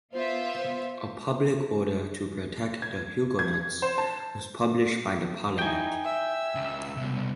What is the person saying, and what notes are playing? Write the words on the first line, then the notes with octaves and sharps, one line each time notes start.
A public order to protect the Huguenots was published by the Parlement.
B3 F4 C5 E5
G#6
G#6
C5
A5
D#4 E4 G5 G#5
E5 E6
C#2
C2 B2